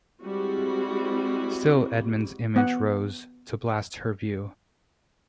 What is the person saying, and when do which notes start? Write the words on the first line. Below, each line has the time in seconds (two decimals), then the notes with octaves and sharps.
Still Edmund's image rose, to blast her view.
0.21 G3 G#3 C4 E4 F#4
2.56 B3 F#5